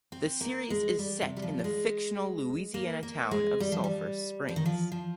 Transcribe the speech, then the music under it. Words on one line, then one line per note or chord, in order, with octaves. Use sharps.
The series is set in the fictional Louisiana town of Sulphur Springs.
C4
A#3
G#3
G3
C3
G3
F3
G3
G#3
A#3
A#3
G#3
G3
F3
G3
F3
D#3
F3
F3